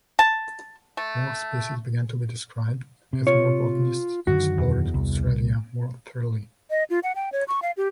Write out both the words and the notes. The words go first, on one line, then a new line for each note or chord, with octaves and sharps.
More species began to be described as more botanists explored Australia more thoroughly.
A5
A3
C3
F4 C#5
F#2 D3 D#3 F#4
E2
C2
D#5
F4
F#5
G5
C#5
C#6
F5
G4